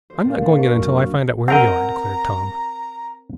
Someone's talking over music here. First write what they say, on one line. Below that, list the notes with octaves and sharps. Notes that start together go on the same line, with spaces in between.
"I'm not going in until I find out where we are," declared Tom.
C5
A#2
D4
C#6
F#2
C4 A#4 D#5 F#5 A#5